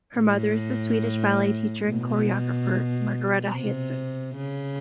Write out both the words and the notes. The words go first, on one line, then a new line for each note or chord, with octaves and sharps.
Her mother is the Swedish ballet teacher and choreographer Margareta Hanson.
A2
B2
C3
C#3